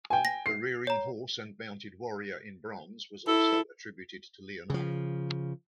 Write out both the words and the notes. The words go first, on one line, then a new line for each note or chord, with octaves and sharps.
The Rearing Horse and Mounted Warrior in bronze was also attributed to Leonardo.
G5 G#5
A#6
C7
C#5 A#5
E4 A4
C#3 F3